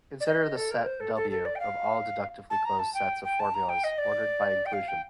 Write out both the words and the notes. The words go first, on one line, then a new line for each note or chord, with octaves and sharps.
Consider the set "W" of all deductively closed sets of formulas, ordered by inclusion.
D5
D#5
A4
A#4
C5
A4
A4
A4
D5
G5
F5
A5
A#5
A5
G5
G5
A5
A#5
G5
D#5
D5
G5
F5
G5